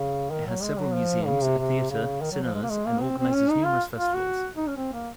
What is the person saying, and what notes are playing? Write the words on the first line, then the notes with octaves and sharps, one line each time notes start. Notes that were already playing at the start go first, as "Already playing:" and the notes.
It has several museums, a theater, cinemas, and organizes numerous festivals.
Already playing: C#3
D#3
F#3
G#3
F#3
F3
C#3
C3
C3
C#3
D#3
F#3
F3
G#3
A#3
G#3
A#3
C4
C4
C#4
D#4
F4
F4
F#4
D#4
C#4
C4
A#3